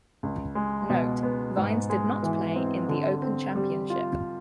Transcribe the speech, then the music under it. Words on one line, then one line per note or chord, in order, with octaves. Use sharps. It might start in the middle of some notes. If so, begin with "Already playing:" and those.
Note: Vines did not play in The Open Championship.
C#2
G#3
B2
B3
G#2
G#3
E3
C4
D3
C4
G3
F4